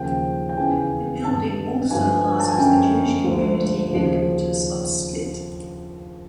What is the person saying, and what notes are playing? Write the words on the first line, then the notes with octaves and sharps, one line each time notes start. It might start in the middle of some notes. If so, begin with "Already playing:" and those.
The building also houses the Jewish community headquarters of Split.
Already playing: D#2 C#3 F3 G5
G5
E2 C#3 E3 G#5
G2 D#3 A5
G2 D3 F3 G#5
A5
G#5
F#2 D3 F3 G5
D2 D3 F3
D#2 C#3 F3